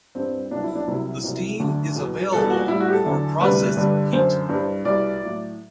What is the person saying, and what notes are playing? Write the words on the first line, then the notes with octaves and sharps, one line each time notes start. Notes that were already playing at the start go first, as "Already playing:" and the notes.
The steam is available for process heat.
G2 E3 G3 C4
C2 B2 F#3 D4
E4
D4
C2 C3 F#3 E4
C2 C3 F#3
D2 D3 F#3
E2 B2 F#3
E2 B2 G3 A4
F#4
A2 G3 E4
F#4
G4
A4
E2 D3 F#3
D2 C3 E3 G3 B4
G2 D3 G3
F#2 D3 F#3 C5
G2 E3 G3
C2 B2 G3 D5
A2 F#3